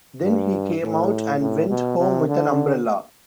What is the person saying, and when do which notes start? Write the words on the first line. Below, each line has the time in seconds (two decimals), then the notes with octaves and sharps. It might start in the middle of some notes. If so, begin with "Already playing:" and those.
Then he came out, and went home with an umbrella.
0.23 G2
0.82 A2
1.40 A2
1.70 B2
1.99 C3
2.28 D3